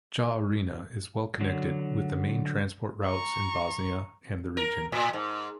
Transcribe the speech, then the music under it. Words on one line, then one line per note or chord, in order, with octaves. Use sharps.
Jahorina is well-connected with the main transport routes in Bosnia and the region.
D3 F#3
A#5 C#6
A#4
A2
G#2